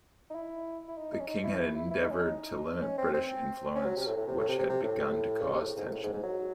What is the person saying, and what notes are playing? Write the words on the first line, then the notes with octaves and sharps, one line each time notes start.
The King had endeavored to limit British influence, which had begun to cause tension.
D#4
E4
E4
D#4
D#4
C#4
D#4
E4
E4
E4
E4
D#4
C#4
D#4
C#4
C4
C4
C#4
F#3
C3
A2
A2
C3
A2
C3
C3
C3
A2
C#3
C3
A2
G#2
C3
A2
G#2
G#2
F#3